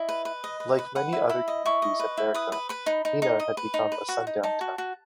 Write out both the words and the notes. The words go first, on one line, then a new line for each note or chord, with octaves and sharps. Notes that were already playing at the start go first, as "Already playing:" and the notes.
Like many other communities in America, Mena had become a sundown town.
Already playing: E4 D#5
B4
B4
D#5
B4
B4
B4 F#5
E4
E4 B5
D#5
E4 C#6
D#5
B4
E4
B4 D#6
B4
B4 B5
D#4
D#4
D#4
D#5
B4
D#4
B4
F#4
D#4
D#4 A5
F#4
F#4